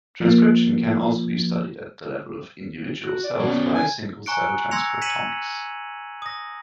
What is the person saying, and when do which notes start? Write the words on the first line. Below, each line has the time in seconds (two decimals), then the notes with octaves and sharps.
Transcription can also be studied at the level of individual cells by single-cell transcriptomics.
0.20 F3 A#3
3.00 F#4
3.24 D5
3.40 F#3 B3 C#4
3.74 G#5
4.26 G#5 A#5 C#6 F#6 C#7 D7
4.71 C6 E6 G#6 A#6 C#7 F7
5.01 G#6 B6 C#7 D#7 E7 F#7
6.22 D#6 A#6